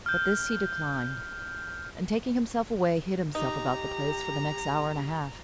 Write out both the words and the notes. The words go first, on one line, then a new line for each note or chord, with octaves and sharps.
But this he declined; and taking himself away hid himself about the place for the next hour and a half.
F6 G6
D#4 G4 A#5